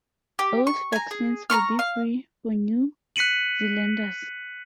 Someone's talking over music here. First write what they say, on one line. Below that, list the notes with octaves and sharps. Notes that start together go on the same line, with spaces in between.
Both vaccines will be free for New Zealanders.
G4
C#6
G#5 A#5
G#4
A#5 B5 C#6 F6
F5
F#6 B6 C#7 D#7 F#7